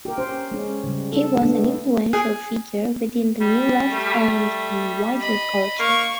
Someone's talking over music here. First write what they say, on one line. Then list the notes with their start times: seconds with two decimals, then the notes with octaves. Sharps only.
He was an influential figure within the New Left and in wider culture.
0.05 G4 A#4
0.18 C#4 C5
0.52 G#3 C#4
0.84 C#3 G3
1.13 A4
1.42 A3 B3 D4
2.13 G#4
3.40 G3
3.88 A3
4.20 G3
5.20 D#5 B5
5.79 A#3 F5 C#6